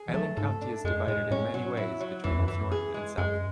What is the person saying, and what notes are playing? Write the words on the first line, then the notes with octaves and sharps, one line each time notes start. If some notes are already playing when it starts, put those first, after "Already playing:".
Island County is divided in many ways between its north and south.
Already playing: G#4
E3
F#3 A3
G#2 A4
D4
F#2 G#3
A2 G#3
A2 C#4
F#3
E4
F#3
F#2 E3
E2
F#2
E3
G#4
G#3
F#2 G#3